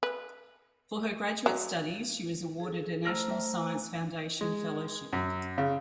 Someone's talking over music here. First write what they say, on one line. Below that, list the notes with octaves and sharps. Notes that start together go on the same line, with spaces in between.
For her graduate studies she was awarded a National Science Foundation fellowship.
B4
F#3
G#4 A4
A3 C5 A#5 E6 F6 A#6
E5
G#3
F#2
C#3